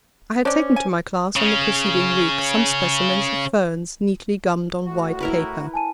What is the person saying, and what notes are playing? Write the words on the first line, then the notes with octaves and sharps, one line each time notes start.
I had taken to my class on the preceding week some specimens of ferns neatly gummed on white paper. . . .
C#4 D4 C5 D5
G#5
C#3 C#4
A2 F#4
E4 A#4 B4
G#5 A5 D#7